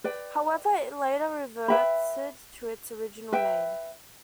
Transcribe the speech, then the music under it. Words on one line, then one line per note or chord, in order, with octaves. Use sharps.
However, it later reverted to its original name.
B4 D5 G5
B4 E5 G5 B5
B4 E5 G5